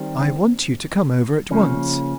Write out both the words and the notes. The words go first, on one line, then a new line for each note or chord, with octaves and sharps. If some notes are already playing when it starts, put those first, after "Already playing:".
"I want you to come over at once."
Already playing: D#3 G3 C4
C#3 F3 A#3 C#4